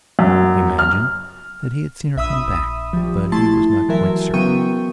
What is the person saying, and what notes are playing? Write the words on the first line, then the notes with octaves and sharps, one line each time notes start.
He imagined that he had seen her come back, but he was not quite certain.
F#2
F6
A#1 E5 B5 D#6 E6
F3 G3
A3 E4 A5 C6 A6
E3 F#3 A#4 E5
C#3 F#3 B3 G5 C#6 D#7